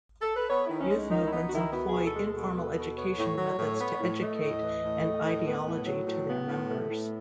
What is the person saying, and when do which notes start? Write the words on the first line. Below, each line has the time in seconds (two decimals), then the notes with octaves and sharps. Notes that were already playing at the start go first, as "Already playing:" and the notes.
Youth movements employ informal education methods to educate an ideology to their members.
0.21 A4
0.36 B4
0.49 B3 C#5
0.65 D#3 E4
0.81 C#4
0.90 G#3
0.96 D#4
1.11 D#3 D#4
1.27 E4
1.32 B3 D#4
1.46 F#4
1.53 D#3 E4
1.73 B3 F#4
1.89 G#4
1.94 B2
2.04 A4
2.15 G#3
2.20 A4
2.35 B2
2.56 B3
2.76 B2
2.96 B3 C#5
3.18 A2
3.38 F#3
3.59 A2
3.80 B3
4.00 A2
4.20 A3 D#5
4.41 A2
4.62 E3
4.83 A2
5.03 A3
5.24 A2
5.45 B3
5.66 A2
5.87 F#3
6.06 A2
6.27 B3
6.48 A2
6.69 A3
6.89 A2